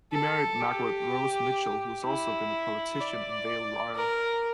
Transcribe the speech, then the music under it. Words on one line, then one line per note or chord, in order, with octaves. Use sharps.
He married Margaret Rose Mitchell, who has also been a politician in Vale Royal.
A4
G4
E4
D5
A#4